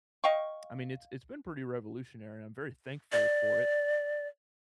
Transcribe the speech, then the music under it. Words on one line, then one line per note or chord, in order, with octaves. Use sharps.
I mean, it's it's been pretty revolutionary. I'm very thankful for it,
D#5 F5 G5 C#6
D5